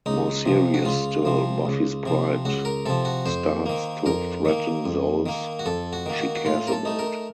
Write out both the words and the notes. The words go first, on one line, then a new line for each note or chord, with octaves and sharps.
More serious still, Buffy's pride starts to threaten those she cares about.
C#2 D#4
C3 F3
F#4
C#2 F4
C3 F3
C#2
C3 F3
C#2 F#4
A#4
C3 F3 A4
F#4
F2 C5
D#3 A#3
F2 A#4
D#3 A#3
F2
D#3 A#3
F#4
F2 A4
F#4
D#3 A#3
F#4
F#4
A2 F4
A#4
A4
A3 D#4
A#4